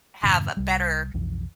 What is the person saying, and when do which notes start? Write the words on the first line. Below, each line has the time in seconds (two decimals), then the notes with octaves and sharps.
have a better
0.23 F2 G#2 C3 D#3
0.57 C2 G3
1.14 B1 F2 E3